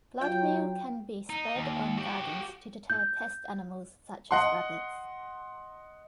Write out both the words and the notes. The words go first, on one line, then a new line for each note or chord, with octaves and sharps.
Blood meal can be spread on gardens to deter pest animals such as rabbits.
F#3 F4 G5
D#4
D#2
F#4 G4
G6
D#5 F#5 C6